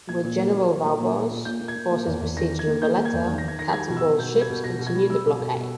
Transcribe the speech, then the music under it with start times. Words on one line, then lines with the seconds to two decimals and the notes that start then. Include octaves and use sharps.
With General Vaubois's forces besieged in Valletta, Captain Ball's ships continued the blockade.
0.09 A#2 G#6
0.24 A#2
0.38 A#3
0.54 A#3
0.69 A#2
0.84 A#3
1.00 A#2
1.15 A#2
1.31 A#2
1.45 A#2 G6
1.60 A#3
1.68 G#6
1.75 A#2
1.91 A#3
2.06 E2
2.21 E2
2.36 D#3 A#6
2.52 D#3
2.59 G#6
2.67 A#3
2.82 A#3 G6
2.97 A#3
3.05 G#6
3.13 E2
3.28 D#3
3.38 D#3 A#6
3.48 G#6
3.59 D#3 A#6
3.73 G3 G#6
3.89 B2
3.97 E6
4.04 B2
4.19 B2 G6
4.34 G3
4.41 G#6
4.50 B2
4.64 B2 A#6
4.79 B2
4.87 G#6
4.95 G3
5.10 G3 E6
5.25 B2
5.40 B2
5.55 B2